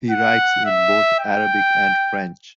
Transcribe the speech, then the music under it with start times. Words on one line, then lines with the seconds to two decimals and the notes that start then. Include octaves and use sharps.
He writes in both Arabic and French.
0.11 F#5
0.66 E5
1.20 G5